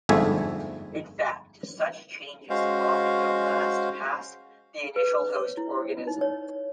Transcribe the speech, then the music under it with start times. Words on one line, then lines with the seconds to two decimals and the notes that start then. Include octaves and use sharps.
In fact, such changes often don't last past the initial host organism.
0.09 G1 F2 G#2 A3 E5 G#5
2.50 G#3 C#4 F#4 C5 F5
4.96 B4
5.34 C#5
5.57 E4
6.07 D#4
6.21 C#5